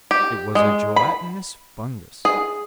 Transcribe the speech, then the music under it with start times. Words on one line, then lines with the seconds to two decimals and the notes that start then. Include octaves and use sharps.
It was a gelatinous fungus.
0.11 G4
0.55 G#3
0.96 B5
2.25 G#4